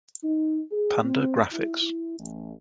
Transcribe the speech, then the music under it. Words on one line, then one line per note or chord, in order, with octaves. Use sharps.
Panda Graphics.
D#4
G#4
C4
E4
E4
A1